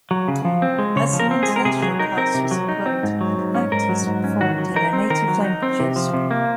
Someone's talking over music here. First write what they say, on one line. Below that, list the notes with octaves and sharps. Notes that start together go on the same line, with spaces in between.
As an international cast was employed, actors performed in their native languages.
F#3
C#3
F3
C4
G#3
C#3 C#5
F3
A#4
C4
G#4
G#3
A#4
C3 G#4
F#3 G#4
D#4 A#4
C4 A#4
C3
F#3
D#4
C4
G#2
F#3
G#2
C#4
G#2 A#4
F#3
G#2
C#4
D#3 F#4
F#3
D#4 A#4
C4
D#3 A#4
F#3
D#4
C4
C3
F3
C3
A#3